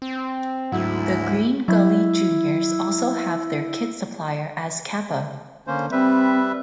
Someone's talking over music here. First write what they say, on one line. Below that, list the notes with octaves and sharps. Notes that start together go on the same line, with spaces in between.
The green gully juniors also have their kit supplier as Kappa.
C4
D2 G#2 F#3 E4
F#3 E4
D3 A#3 C#4 C5
G3 C4 B4 E5